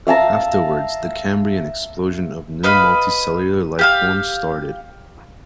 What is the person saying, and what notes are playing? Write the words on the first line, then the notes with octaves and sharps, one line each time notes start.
Afterwards, the Cambrian explosion of new multicellular life forms started.
E5 F5 A5 A#5
B4 D#5 F5 B5
G4 F5 E6